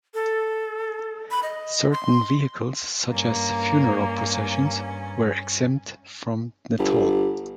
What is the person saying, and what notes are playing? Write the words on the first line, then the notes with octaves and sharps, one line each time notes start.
Certain vehicles, such as funeral processions, were exempt from the toll.
A4
B5
D#5
C6
G2 A#3 C#4
G1 G4